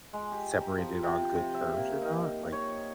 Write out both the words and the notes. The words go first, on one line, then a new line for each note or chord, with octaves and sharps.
separated on good terms or not? Like
G#3
G4
A#5
F3
C3
C3
E5
A#3
D#4
C#5